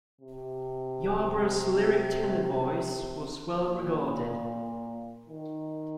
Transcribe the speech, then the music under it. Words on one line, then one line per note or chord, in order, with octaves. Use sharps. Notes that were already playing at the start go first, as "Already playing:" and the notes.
Yarbrough's lyric tenor voice was well-regarded.
C3
A#2
D#3